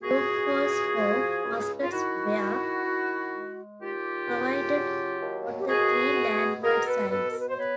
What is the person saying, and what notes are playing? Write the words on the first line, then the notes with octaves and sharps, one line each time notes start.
Loopholes for muskets were provided on the three landward sides.
C#2 F#4 G#4
C#2
F3
C#2
F4
D#3 E4 F#4
D#3
D#3
G#3
D#2 F4 G4
C#3
F#3
D#2
G4
B2 F#4 G#4
B3
B2 G#4 A#4
A4 B4
B3 A4 B4
A#4
B4
C5
B3 B4 C#5